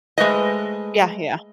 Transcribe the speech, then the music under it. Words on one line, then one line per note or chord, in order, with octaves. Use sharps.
Yeah, yeah.
G#3 A3 B4 C5 D#5